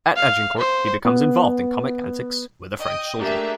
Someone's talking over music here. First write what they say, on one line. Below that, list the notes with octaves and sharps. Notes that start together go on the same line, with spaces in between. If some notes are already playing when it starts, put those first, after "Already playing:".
At Agincourt he becomes involved in comic antics with a French soldier.
F5
C5
B3
D#5 G5 D#6
A3 A#3 D4 G4 G#4 E5